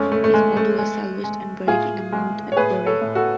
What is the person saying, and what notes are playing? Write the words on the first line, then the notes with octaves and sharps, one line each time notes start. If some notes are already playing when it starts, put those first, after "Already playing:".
His body was salvaged and buried in a mound at Borre.
Already playing: F2 G#3 A3 C#4
A3
A3
G#3
A3
G#3
G#3
A2 F4 G#4
G#3
C#5
A2 G#4 B4
A4 C#5
A2
F#4 A4